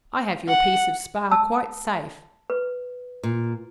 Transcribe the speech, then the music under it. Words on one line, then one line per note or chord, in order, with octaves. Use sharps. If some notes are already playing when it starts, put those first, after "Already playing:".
I have your piece of spar quite safe.
F#5
A5 E6
B4
A#2